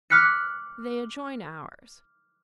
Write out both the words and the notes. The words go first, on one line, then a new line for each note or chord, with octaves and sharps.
They adjoin ours.
D6 F6 F#6 B6 C#7